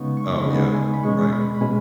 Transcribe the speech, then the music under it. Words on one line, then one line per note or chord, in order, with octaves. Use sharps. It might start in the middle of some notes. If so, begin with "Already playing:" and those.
Oh, yeah. Right.
Already playing: C#3 G#3 B3 D#4 C#6
C#6
C#3 G#3 B3 D#4 B5
G#5
B5
B2 G#3 C#4 C#6
B5
B5
B2 G#3 C#4 G#5